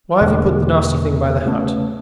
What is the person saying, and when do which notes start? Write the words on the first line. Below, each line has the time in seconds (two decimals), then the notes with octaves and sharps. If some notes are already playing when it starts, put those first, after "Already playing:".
Why have you put the nasty thing by the hut?'
0.21 E2 B2 D3 A#3
1.46 C#3 A3 B3 C#4